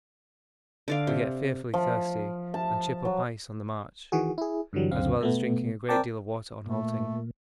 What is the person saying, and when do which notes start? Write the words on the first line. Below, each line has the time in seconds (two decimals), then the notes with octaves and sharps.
We get fearfully thirsty and chip up ice on the march, as well as drinking a great deal of water on halting.
0.88 D3 D5 F5
1.07 C3
1.74 F3
2.54 A5
3.05 F#3
4.12 D#3 E3 F#4 G#4
4.38 E4 G#4
4.73 G2 D3 E3 F#3 G3
4.91 C#2 F#2 D3 C4 F5
5.21 B2 A3 B3
5.88 C4 A#4 D5 G5 A5 D6
6.66 A#2 A3